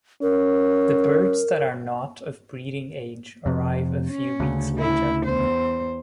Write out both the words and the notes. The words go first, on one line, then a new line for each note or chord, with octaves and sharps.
The birds that are not of breeding age arrive a few weeks later.
C#4 A#4
F2 C3
C#4
D2 C#3
E4
E2 C5